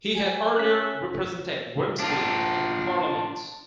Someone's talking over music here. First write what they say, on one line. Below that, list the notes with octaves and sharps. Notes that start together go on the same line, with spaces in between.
He had earlier represented Grimsby in Parliament.
G#5
C#4 F#6 B6
D4 F4